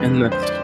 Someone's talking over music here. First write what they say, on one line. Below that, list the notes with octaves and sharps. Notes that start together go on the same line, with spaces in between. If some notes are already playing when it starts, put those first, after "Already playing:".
and that's
Already playing: F2 D3 G#3 B4
C5
D5